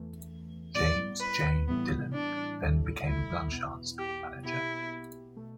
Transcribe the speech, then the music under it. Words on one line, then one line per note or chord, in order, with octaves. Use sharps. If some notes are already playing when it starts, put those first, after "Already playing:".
James J. Dillon then became Blanchard's manager.
Already playing: E2 E3 A3
A2 G3 B3 E4 D5
B4
A2 E3 G3 B3 E4
D4
A2 G3 E4 A4
E4
E2 B2 B3 E4
G4
B2 B3 E4 G4
B2 A3